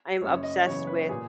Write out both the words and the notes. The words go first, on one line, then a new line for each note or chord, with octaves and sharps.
I am obsessed with
F#1 F#2 C#3 C#5
D#5
F#1 F#2 C#3 E3 B3 C#5
B4
A#2 A#3 G#4